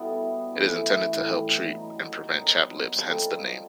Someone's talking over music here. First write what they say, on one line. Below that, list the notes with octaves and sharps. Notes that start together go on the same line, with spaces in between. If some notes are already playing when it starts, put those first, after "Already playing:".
It is intended to help treat and prevent chapped lips, hence the name.
Already playing: B2 G3 B3 E4 A4
E3 A3 C#4
A2 E3 G3
F#3 B3 D#4
D#3 F#3 B3 D#4
G3 C4 F4 A4